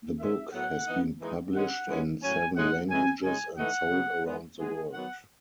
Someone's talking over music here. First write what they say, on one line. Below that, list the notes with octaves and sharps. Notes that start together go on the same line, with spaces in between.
The book has been published in seven languages and sold around the world.
D#3 G#3 C#4 E5
A2 F#3 B3 F#5
E3 B3 D#4
E3 G#3 D#4
D#3 G#3 C#4 F#5
E3 G#3 C#4
A2 F#3 C#4 G#5
A2 G#3 D#4 F#5
C#3 E3 G#3 C#4 G#5
C#3 G#3 D#4 G#5
E3 A3 D#4 F#5
C#3 F#3 B3
D#3 G#3 B3
E3 G#3 B3 G#4
D#3 F#3 B3 F#5